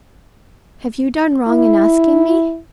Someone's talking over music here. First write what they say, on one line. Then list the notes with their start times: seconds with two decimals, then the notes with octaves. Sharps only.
Have you done wrong in asking me?
1.48 E4